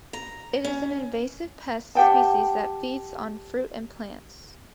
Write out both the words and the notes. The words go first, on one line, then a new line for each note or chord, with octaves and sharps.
It is an invasive pest species that feeds on fruit and plants.
A#5
C#4
G4 F#5 G5 A5